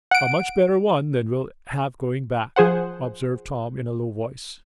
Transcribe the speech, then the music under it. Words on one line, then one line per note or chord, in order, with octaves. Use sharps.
"A much better one than we'll have going back," observed Tom, in a low voice.
F#5 D7
F3 G#4 C5 F#5